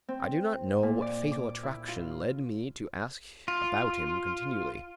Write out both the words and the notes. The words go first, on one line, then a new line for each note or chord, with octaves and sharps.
I do not know what fatal attraction led me to ask about him continually.
C4
A#2
D5
D6
E4
F4
F4